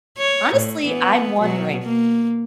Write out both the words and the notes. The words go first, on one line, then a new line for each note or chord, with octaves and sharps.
honestly, I'm wondering
C#5
A2
E3 B3
B2 F#3
A#3